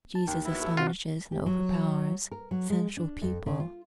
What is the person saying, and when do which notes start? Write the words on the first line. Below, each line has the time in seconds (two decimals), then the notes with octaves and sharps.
Jesus astonishes and overpowers sensual people.
0.15 A5
0.28 D#2 G5
0.45 F#3 B3 E4
0.62 A3 A4
0.77 C3 C4 F4 F#4
1.32 G4
1.46 F#3
2.31 A#4
2.51 F#3
2.70 G#3
2.97 D4
3.22 F2
3.46 C#3
3.60 F4